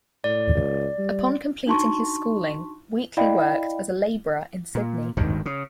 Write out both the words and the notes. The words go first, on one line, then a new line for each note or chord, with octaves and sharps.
Upon completing his schooling, Wheatley worked as a labourer in Sydney.
A2 D5
C#2
G3
D4 D#4 F#4 A5 C6 C#6
E4 D5 D#5 F5 G5 B5
A#2
G#1 G2 D#3
C#3